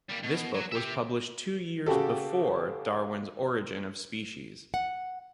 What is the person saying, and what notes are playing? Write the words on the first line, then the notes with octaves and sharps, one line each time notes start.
This book was published two years "before" Darwin's "Origin of Species".
G3 A#3
B2
F#3
G4 E5
C#3 F#4 G4 A4
F#5